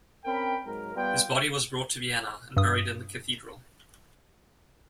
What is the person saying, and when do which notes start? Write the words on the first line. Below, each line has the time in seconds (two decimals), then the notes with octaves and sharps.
His body was brought to Vienna and buried in the cathedral.
0.25 C4 C#4 A#4 G5 B5
0.65 G#2 F#3 A#4
0.95 G3 B3 F4 G5
2.57 G2 D#6